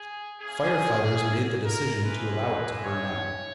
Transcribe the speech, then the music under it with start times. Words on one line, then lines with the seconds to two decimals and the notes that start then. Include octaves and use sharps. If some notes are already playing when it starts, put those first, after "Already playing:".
Firefighters made the decision to allow it to burn out.
Already playing: G#4
0.40 A#3 C#4 E4 G#4
1.62 A#4
2.03 G#3 C#4 E4 G4 B4
2.84 C#5